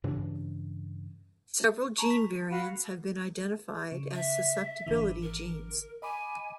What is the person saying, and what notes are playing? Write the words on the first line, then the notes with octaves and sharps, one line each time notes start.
Several gene variants have been identified as susceptibility genes.
G2 C#3 E3 D4
A5 A#5 C#6
B6
F#4 F5 B5
C#3
E5
G#1 D3 E3
A#4
D#5 G#5 B5 D6